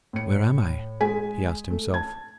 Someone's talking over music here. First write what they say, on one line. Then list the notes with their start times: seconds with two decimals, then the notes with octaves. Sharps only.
"Where am I?" he asked himself.
0.13 A2 C#7
1.00 G#3 G#5 B6
1.71 A3
1.94 A5 G#6